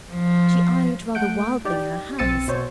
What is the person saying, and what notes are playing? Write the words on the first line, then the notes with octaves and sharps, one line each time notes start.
She eyed rather wildly her hands.
F3
A3 F#5 G6 D7
D#4 G4 D5 G5
B1 C4 E6 A6 C#7 D#7
B2 C5 C#5